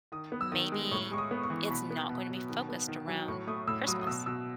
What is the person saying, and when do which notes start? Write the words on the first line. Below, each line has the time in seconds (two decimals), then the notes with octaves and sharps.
Maybe it's not gonna be focused around Christmas.
0.12 D#3 D#6
0.32 B3
0.41 E6
0.52 D#3 D#6
0.72 G#3
0.91 A2 C#6
1.11 G#3 C#6
1.18 D#6
1.31 B3
1.43 C#6
1.50 E3
1.66 C#6
1.70 B2 B5
1.91 B3
2.09 B2
2.29 F#3
2.49 D#3
2.69 B3
2.88 D#3
3.08 F#3
3.28 A2 C#6
3.47 A3 D#6
3.68 A2 E6
3.87 F#3 D#6
4.01 D#6
4.07 B2 E6
4.26 B2 E6